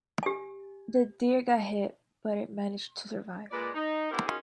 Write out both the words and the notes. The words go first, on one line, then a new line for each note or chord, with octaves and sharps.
The deer got hit, but it managed to survive.
G4 G#5
A#2 G#3 B4 D5
D#4
B3 C4 D4 E4 G4 A#4
D#3 C#4 D#4 F4 F#4 G#4